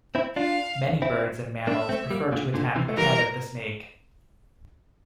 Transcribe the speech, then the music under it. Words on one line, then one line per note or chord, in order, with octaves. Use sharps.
Many birds and mammals prefer to attack the head of the snake.
C4 E4
D4 F4 F5
C4 E4
A#3 D4 E5
A3 C4
G3 A#3
A#2 D3
A#2 D3
C3 E3
A3
E3 G3 A#4